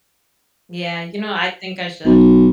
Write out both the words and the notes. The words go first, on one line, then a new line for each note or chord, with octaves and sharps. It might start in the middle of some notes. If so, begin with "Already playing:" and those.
Yeah, you know, I think I should.
B1